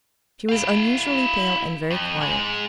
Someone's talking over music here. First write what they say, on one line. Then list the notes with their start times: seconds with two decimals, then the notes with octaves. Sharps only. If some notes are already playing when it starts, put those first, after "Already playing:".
She was unusually pale and very quiet.
0.49 E4 F5
1.91 F2
2.21 G#2 G#3